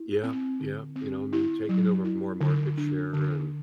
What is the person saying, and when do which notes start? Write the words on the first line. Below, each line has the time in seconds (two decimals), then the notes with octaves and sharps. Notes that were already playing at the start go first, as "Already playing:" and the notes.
yeah, yeah, you know, I mean, taking over more market share, and
Already playing: E4
0.24 C4
0.60 D3
0.96 C4
1.33 E4
1.69 F#3
2.05 E4
2.41 D3
2.78 D4
3.13 D3